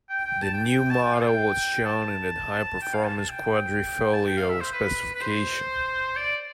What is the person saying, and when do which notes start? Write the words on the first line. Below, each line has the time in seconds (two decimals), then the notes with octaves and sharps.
The new model was shown in the high-performance "Quadrifoglio" specification.
0.09 G5
0.25 G5
0.42 A5
0.54 G5
0.65 G5
0.78 G5
0.90 A5
1.02 G5
1.14 F5
1.22 A5
1.26 G5
1.85 A5
2.82 G5
2.94 F5
3.05 A5
3.17 A5
3.29 G5
4.14 A5
4.25 G5
4.37 F5
4.49 E5
4.61 C5
4.73 B4
5.15 B4
5.21 C5
6.17 D5